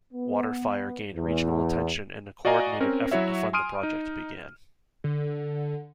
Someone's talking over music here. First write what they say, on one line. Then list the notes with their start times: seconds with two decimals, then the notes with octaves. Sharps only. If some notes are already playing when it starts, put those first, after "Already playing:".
WaterFire gained regional attention and a coordinated effort to fund the project began.
0.12 B3
1.15 E2
2.45 F#4 D5 D#5 F5 G#5 A#5
2.80 C4 C#4 A#4
3.11 F#3 E4 F#4 C#5 E5
3.53 G#5 C6 D#6 F6 D7 D#7
3.83 D#4
5.04 D3